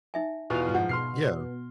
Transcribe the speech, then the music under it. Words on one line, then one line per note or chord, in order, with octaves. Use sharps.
Mhm, yeah.
D#4 E5 G#5
E2 B2 B3 F4 F5
G#2 F3 F#5
B2 C6 F6 C7